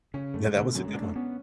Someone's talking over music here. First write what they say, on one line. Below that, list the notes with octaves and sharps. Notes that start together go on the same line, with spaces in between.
Yeah, that was a good one.
C#3 C#4
F#2 A3
G#2
D3
B2
F#2 F#3
G#3
D4
A3
B3 C#4